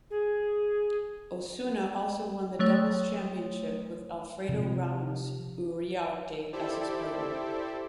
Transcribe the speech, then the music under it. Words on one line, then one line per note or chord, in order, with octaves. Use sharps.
Osuna also won the Doubles Championship, with Alfredo Ramos Uriarte as his partner.
G#4
F#3 A3 C#5
C3 F3
E4 G4 A4 C5 D5 E5